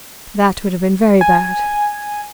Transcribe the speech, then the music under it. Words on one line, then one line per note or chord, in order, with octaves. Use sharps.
"That would have been very bad."
G#5